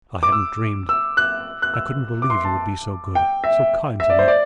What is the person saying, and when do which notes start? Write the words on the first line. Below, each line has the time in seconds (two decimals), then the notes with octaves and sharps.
I hadn't dreamed--I couldn't believe you would be so good, so kind to me.
0.23 D6
0.32 E6
0.89 E6
1.17 F#6
1.62 F#6
1.74 E6
2.22 D6
2.30 C6
2.45 A5
3.15 G5
3.44 E5
4.00 E5
4.10 D5
4.19 C5
4.28 D5